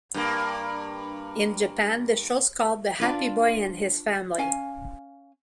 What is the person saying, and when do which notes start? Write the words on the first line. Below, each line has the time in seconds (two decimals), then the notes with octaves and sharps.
In Japan the show's called 'The Happy Boy and His Family.
0.14 G2 A#3
3.00 D4 F4 B4
4.38 C#4 F5 G#5